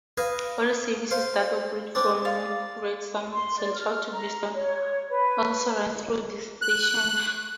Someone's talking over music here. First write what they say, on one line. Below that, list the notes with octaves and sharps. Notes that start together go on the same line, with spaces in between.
All services that operate from Wrexham Central to Bidston also run through this station.
B4 D#5 F5 G#5
C5 F5
C4 D4 D5
D5 F5
C6
D5
F6
A#5
C#5
B4
F#6